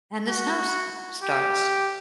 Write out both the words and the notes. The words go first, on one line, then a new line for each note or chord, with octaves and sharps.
and the snow s starts,
F#4
G4